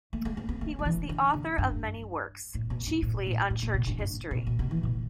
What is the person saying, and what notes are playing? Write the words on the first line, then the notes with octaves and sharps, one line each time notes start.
He was the author of many works, chiefly on church history.
A3
A3
B3
B3
A3
G3
E3
D3
D3
G2
A2
B2
G2
A2
A2
A2
A2
B2
G2
G2
B2
B2
B2
E3
B2